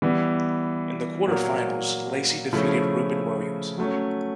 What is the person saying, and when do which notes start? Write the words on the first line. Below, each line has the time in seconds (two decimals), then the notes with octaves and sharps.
In the quarter-finals, Lacy defeated Rubin Williams.
0.02 E3 G3 B3
1.27 A#2 F#3 A#3
2.53 C#3 F3 A3 C#4 E4
3.78 F#3 A3 C#4